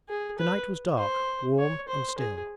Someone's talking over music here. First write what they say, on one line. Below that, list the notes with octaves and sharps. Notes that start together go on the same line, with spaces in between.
The night was dark, warm, and still.
G#4
B4
C5
C#5
C5
G#4